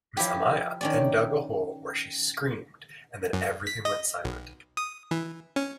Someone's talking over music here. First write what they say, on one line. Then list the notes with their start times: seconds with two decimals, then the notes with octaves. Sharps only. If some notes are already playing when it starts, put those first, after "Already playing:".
Mrs. Amaya then dug a hole where she screamed and then everything went silent.
0.17 F3 E4 G4
0.81 D#3 C#4 D5
3.33 F#2
3.67 B6
3.85 D#5
4.24 B1
4.77 D#6
5.11 E3
5.56 C#4